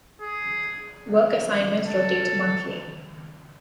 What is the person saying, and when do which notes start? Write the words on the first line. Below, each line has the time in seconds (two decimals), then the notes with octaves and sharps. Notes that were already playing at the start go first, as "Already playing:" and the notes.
Work assignments rotate monthly.
0.21 G#4
1.86 A4